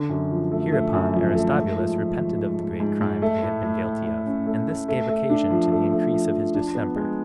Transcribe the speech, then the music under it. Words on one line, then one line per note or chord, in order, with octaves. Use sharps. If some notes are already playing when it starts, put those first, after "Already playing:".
Hereupon Aristobulus repented of the great crime he had been guilty of, and this gave occasion to the increase of his distemper.
Already playing: D3
F#2
F3
A3
A3
F#2
F3
A3
G#2
F3
F3
F3
G#2
G#2
G#2
G#2
A3
A2
A2
A2
A2
C#4
A3
A3
A3
A3
D4
F3
A3
A3
F3
F3
D4
B3
G#3